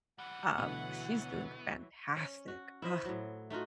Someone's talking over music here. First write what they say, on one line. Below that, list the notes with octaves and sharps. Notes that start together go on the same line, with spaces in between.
um, she's doing fantastic, ugh.
E3 G3 F#5
D2 B2 E3 F#3 B3
C#4
F#4
E4 C5 D#5 E5
A2 F#3
A3 D#4 F4 F#4